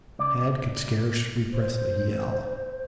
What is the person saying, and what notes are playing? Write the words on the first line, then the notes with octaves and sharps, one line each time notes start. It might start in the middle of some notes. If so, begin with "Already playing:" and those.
Tad could scarce repress a yell.
C#2 D5
C5